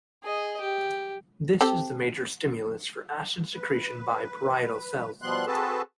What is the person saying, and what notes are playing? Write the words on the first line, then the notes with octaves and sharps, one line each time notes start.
This is the major stimulus for acid secretion by parietal cells.
G#4 D#5
G4
C4 G4 A4
B4
B2 F3 G3 B3 C6 F#6
C4 F#4 G#4 A4 B4 A5